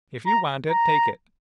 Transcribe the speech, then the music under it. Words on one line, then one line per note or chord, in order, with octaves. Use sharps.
If you want it, take it.
A#5
A#5